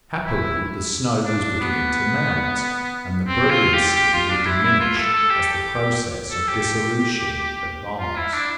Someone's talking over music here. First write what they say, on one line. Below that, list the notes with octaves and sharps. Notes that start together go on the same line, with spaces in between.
Happily the snow was beginning to melt, and the brilliancy would diminish as the process of dissolution advanced.
E4
D4
B3
C4
F4
G4
G4
F4
D4
E4
E4
F4
A4
A4
G4
G4
G4
A4
G4
F4
E4
D4